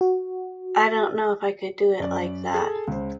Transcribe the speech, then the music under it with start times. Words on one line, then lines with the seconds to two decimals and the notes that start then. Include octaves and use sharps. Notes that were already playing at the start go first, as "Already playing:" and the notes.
I don't know if I could do it like that.
0.01 F#4
2.00 F#2 D5
2.54 G#4 A4
2.88 C#2 C5